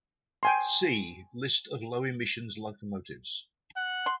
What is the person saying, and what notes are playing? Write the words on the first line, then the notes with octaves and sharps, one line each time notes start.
"See" List of low emissions locomotives.
G5 G#5 C6
F#5
C6